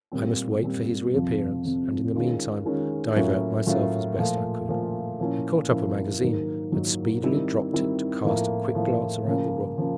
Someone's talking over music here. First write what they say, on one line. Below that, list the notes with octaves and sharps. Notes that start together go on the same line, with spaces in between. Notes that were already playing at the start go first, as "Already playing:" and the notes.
I must wait for his reappearance, and in the meantime divert myself as best I could. I caught up a magazine, but speedily dropped it to cast a quick glance around the room.
A#2 G3 C4
A#2 G3 C4
F2 C3 F3
F2 C3 F3
D#3 G#3 C#4 F4
D#3 G#3 C#4 F4
A2 F#3 A#3 C#4 F4
A2 F#3 A#3 C#4 F4
A#2 F3 A3
A#2 F3 A3
A#2 F3 A#3 C#4 E4
A#2 F3 A#3 C#4 E4
G#2 D#3 F#3 A#3
G#2 D#3 F#3 A#3
D#3 G3 C4 E4
D#3 G3 C4 E4
A2 F3 A#3
A2 F3 A#3
C#3 F3 A#3
C#3 F3 A#3